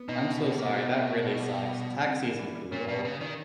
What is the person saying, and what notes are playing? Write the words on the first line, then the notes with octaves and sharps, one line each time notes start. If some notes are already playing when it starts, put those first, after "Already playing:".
I'm so sorry, that really sucks, tax season's brutal.
Already playing: B3
B2 D#4
D#4
F#4
A#3
F#4
D#5
F#4
D#5
G3
G3
G3
G3
C4
E3
E3
G3
A#2 C#4
B2 D5
C#3 D5
D#3 D5